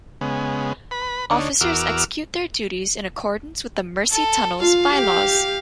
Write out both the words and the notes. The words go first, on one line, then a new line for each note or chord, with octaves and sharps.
Officers execute their duties in accordance with The Mersey Tunnels Bylaws.
C#3 G#3 B3
B4 B5
D2 D4 D#4 C#5
E2 F#4 A#4 D6 E6 F6
A4
F4 F5
G4